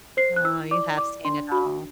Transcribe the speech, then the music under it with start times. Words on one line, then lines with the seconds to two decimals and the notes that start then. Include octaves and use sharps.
Oh, you have seen it all.
0.17 C5 C7
0.36 F#6
0.44 E4 E6
0.71 D5 D6
0.98 D5 D6
1.25 D4 C6
1.52 F#4 B5